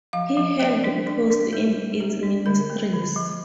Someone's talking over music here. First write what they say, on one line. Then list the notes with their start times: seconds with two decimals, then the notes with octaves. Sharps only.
He held posts in its ministries.
0.13 F3 F5
0.37 F3
0.60 A#3 D5
0.84 D4
1.06 D4 D5
1.30 D4
1.53 G3 A#4
1.77 G3
2.00 G3 G4
2.23 D4
2.46 D3 A#4
2.70 A#3
2.93 D3
3.16 F3